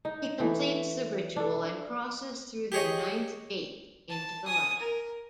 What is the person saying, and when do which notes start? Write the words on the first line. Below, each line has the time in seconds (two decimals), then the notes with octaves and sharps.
He completes the ritual and crosses through the Ninth Gate into the light.
0.05 D#4
0.40 E3 A3 E5
1.36 D4 A4
2.72 G4 G#4 C#5 D#5
4.09 A5
4.46 G#5 D#6
4.79 A#4